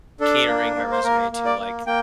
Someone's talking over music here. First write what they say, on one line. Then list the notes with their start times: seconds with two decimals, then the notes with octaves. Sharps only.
catering my resume to, like,
0.20 D4 A4
0.48 A#3
0.76 A#3
0.92 C5
1.04 A#3 A#4
1.31 A#3
1.45 D5
1.59 A#3
1.87 A#3 G5